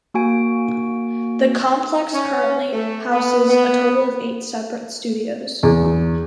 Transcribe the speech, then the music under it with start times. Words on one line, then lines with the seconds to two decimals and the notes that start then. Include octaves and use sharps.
The complex currently houses a total of eight separate studios.
0.14 A#3 F#4 G#5 D7
2.13 C#4
2.73 A3
3.11 B3
3.49 B3
5.63 E2